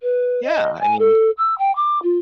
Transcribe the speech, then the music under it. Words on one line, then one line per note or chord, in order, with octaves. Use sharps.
Yeah, I mean
B4
D#5
G#5
A4
E6
G5
D6
F4